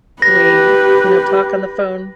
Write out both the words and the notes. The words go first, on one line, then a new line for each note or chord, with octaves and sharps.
We, you know, talk on the phone,
G4 B4 A#6